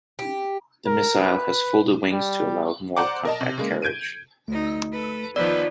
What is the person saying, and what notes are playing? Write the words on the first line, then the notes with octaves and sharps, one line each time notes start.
The missile has folded wings to allow more compact carriage.
G4
A#4
B4
G3
C5 D5 F#5 A#5 D6
A#4 D#5 A5
C3
C#3 G#3 A#3
G6 G#6 D7 D#7
D2 A3 D#4
A4 B4
D#3 F3 B3 F4 B4 D5 E6 B6